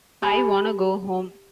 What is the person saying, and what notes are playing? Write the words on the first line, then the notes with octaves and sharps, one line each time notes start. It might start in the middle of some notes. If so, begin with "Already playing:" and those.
I wanna go home.
G4 G#5 B5